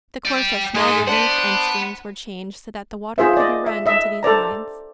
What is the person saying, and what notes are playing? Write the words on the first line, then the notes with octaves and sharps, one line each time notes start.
The course of small rivers and streams were changed so that the water could be run into these mines.
D5 G5
G#2 G#3
D4 C5 F#5 B5
F4 G#4 C5 E5
D5 D#5
E5
D#5 E5
A4 C5 D5 A#5